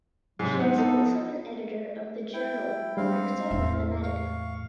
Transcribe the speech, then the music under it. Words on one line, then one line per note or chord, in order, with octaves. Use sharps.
She was also an editor of the journal "Acta Mathematica".
G#2 C3 F#3
B3 D#4 C5 F#5
D#4 A4
F3
E4 G5
G3 G#3 C4 D4 F5
E2 A2 E5
F5 C#6